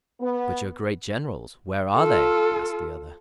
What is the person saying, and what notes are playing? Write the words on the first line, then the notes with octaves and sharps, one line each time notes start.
"But your great Generals--where are they?" asked the other.
B3
F4 A4